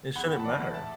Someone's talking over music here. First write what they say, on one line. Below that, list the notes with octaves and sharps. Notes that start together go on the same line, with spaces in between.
it shouldn't matter.
E2 F#5 B5
A5
E3 A3 D5 F#5
E5 A5